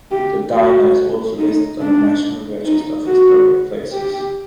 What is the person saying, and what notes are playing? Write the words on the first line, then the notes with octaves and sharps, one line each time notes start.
The diner is also listed on the National Register of Historic Places.
G4
F#4
D#4
D4
D#4
F#4
G4